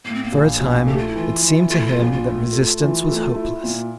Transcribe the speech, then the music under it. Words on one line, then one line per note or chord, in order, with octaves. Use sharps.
For a time it seemed to him that resistance was hopeless.
A2 A#3
C4
A#3
A#1
A#1
A3 G4
F4
E4
E3 F4
E3
A3 F4
E4
F4
A#1
F4
A2
A3
E3
A3
E4
A#2